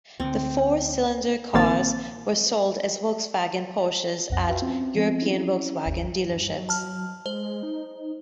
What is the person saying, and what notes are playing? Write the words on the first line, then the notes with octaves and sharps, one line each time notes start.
The four-cylinder cars were sold as Volkswagen-Porsches at European Volkswagen dealerships.
D2 D3 C4
A#1 D#3 A#3 C4 A6
B1 F2 F#5 A#6
F4 F#4 B4 E5 F5 G5
C4 C#4
F3 B3 C4
C#4 E4
G1 D#2
G2
F#3
A5 F6
G#3 C5
D#4